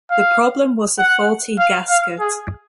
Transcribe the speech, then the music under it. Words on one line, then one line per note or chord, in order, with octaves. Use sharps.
The problem was a faulty gasket.
F5
F#5
F5
F5
G#4